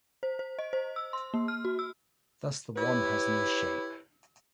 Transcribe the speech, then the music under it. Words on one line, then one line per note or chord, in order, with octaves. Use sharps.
Thus the one has no shape.
C5
C5
D#5
C5
E6
C6
A#3
F6
F#4
E6
E4 G4 B4 C#5